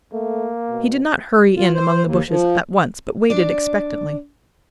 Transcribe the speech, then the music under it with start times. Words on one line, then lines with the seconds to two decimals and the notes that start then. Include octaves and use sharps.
He did not hurry in among the bushes at once but waited expectantly.
0.13 A3 A#3
0.69 B2
1.56 F4
1.75 C5
2.04 D#2
2.29 F3
3.30 D4 D5